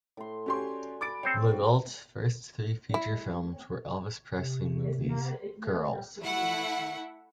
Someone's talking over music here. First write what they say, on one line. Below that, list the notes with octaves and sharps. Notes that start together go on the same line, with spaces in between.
LeGault's first three feature films were Elvis Presley movies, Girls!
A2 C6
C#4 F#4 G4 D5 G#5 C6
B5 D6 A6 D7
C4 C5 C#5 G5
F#4 D5
E4
C3
A3 E4 E5 F#5